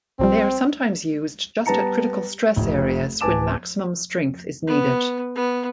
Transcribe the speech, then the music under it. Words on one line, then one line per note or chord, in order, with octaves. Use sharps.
They are sometimes used just at critical stress areas when maximum strength is needed.
B1 F3 G3 C4
G3 B3 A5 A#5 C#7
F1 F2
D1 B4 G#5 A5 D6 E7
B3
B3